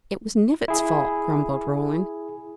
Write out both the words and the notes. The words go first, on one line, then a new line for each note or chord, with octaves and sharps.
"It was Knivett's fault," grumbled Roland.
E4 G#4